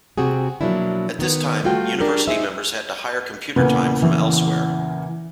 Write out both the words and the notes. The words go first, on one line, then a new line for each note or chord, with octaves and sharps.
At this time university members had to hire computer time from elsewhere.
C3 C4 F#4 G#4
B2 F3 F#3 A#3 D4 E4
D#3 B3
G3 A3 F4 F#4 G5
D4 G4 A#4
D#4 G#4 C5 E5
E2 A#2 C#3 B4
E3